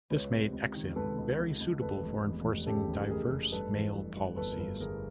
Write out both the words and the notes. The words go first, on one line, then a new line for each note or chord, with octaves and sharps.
This made Exim very suitable for enforcing diverse mail policies.
C#2 B4 C#5
C3
C#2
D#3
C#2 A4 B4
C#2
C#2
C#2
F1 A4 B4
F1
E2
F1
C#3 G4 A4
F1
F1 G#4 A#4
F1
G2 A4 B4
E3
G2
G2
G1 A4 B4
A#4
G1 A4 B4
G1 G#4 A#4